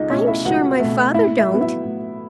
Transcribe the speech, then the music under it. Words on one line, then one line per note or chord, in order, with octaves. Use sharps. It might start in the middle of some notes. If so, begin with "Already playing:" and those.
"I'm sure my father don't."
Already playing: C#2 D#4 G#4 D#5
B2 A3 C#4 C#5
E4 E5
C#2 F#4 F#5
B2 A3
A2 E4 E5
E4 E5
F#3 B3
E4 E5
A2